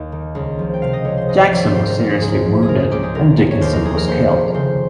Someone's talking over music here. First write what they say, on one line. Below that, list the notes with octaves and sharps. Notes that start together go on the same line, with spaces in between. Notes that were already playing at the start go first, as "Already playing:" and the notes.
Jackson was seriously wounded and Dickinson was killed.
Already playing: D#2 D#5 F5
D#3
C#2
F3
G5
C3 F5
D#5
C#2 C#5
C5
G#1 D#5
F5
F3 C#5
C5
G#2 C5
A#4
G#1 A#4
G#4
C#2 G#4
F3
G#4
C#3 A#4
G#4
C#2 G4
G#4
F1 A#4
D#3
C#5
D#2 C5
A#4
F1 G#4
A#4
D#2 C5
F3
C#3 C5